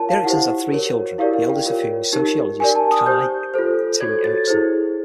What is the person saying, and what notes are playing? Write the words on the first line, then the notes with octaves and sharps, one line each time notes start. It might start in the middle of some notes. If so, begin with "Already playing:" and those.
The Eriksons had three children, the eldest of whom is sociologist Kai T. Erikson.
Already playing: F4 A#4 C#5 A5
F5
E4 G4 C5 F#5
F#4 A#4 C#5
E4 G4 A#4 D5 F5
F5
G5
F4 A#4 C#5
D#4 G4 A#4
G4 A#4 D5 G#5
A5
D#6
G4 C5 G6
F4 A4 C5
F#4 A4 C#5 G#6
A6
E4 G#4 C5